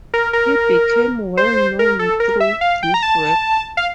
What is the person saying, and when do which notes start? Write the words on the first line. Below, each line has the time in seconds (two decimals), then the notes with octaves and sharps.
He became well known through this work.
0.14 A#4
0.33 A#4
1.37 C5
1.79 A#4
1.99 A4
2.20 A#4
2.40 E5
2.61 F5
2.83 G5
2.94 A#5
3.03 A5
3.77 F5